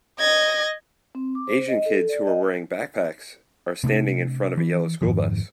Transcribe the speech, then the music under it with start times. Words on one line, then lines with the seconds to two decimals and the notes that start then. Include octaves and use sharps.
Asian kids who are wearing backpacks are standing in front of a yellow school bus.
0.20 D#5 G#6 A#6
1.15 C4
1.35 D6
1.47 C5
1.68 D#5
1.86 A4
2.09 D5
2.27 D#5
3.83 C3 A3 A#3 D4
4.57 E3
5.02 F2 G#2 D#3 F3